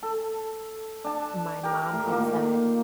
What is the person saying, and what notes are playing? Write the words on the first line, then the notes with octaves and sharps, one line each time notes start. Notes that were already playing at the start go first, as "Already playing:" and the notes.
My mom had said,
A4
D4 A5
G4 A#4
A2
A#2 D#3 A#3